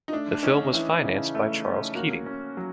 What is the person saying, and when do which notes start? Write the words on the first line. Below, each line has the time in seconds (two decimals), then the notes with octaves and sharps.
The film was financed by Charles Keating.
0.08 D#4
0.12 A3 D4
0.32 D4
0.43 C#4 D#4
0.73 E3 E4
0.96 D#4
1.04 C#3 E4
1.35 A3
1.65 C#4
1.95 A#3 F#4
2.26 C#4
2.57 F#3